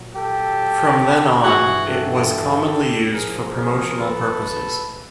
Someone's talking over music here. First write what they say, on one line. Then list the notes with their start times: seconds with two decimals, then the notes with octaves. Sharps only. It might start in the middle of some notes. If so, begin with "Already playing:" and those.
From then on it was commonly used for promotional purposes.
Already playing: A#2 F#3
0.16 G4 A4
1.42 G2 E3 F#4 G#4
1.85 G4 A4
3.12 A#2 F3 G#4 A#4
3.55 G#4 A#4
3.97 A4 B4